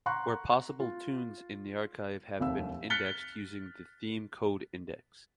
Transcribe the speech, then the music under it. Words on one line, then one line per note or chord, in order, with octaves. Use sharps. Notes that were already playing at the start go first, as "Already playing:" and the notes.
Where possible tunes in the archive have been indexed using the Theme Code Index.
F#5 A#5 C6 C#6 F#6
F4
F1 D#2 E5 E6
F6 F#6 A6 B6 C#7 G7